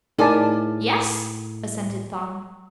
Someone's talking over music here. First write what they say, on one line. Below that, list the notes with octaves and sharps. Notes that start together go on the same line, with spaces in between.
"Yes," assented Thong.
A2 D#4 G#4 A#4 D5 G#5 A5